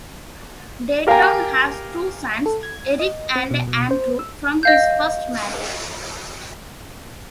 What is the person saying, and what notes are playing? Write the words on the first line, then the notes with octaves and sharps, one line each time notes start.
Dayton has two sons, Eric and Andrew, from his first marriage.
G4 A#4 F5 G5 G#5 A#5
A4
G#6
D#5
C4
B2
B2
C5
E6
D#5 F5 G6